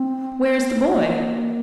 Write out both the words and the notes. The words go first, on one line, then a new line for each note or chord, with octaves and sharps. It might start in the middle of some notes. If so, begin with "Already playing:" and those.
"Where is the boy?"
Already playing: C4
B3
A#3